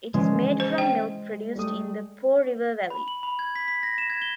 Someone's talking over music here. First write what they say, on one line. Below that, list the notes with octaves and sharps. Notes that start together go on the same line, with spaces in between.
It is made from milk produced in the Po River valley.
E3 G#3 C#4 D4
C5
G5
G3 A3 D#6
B5
F#7
B5
G#6
B6
B6
A#6
E7
G#6
G7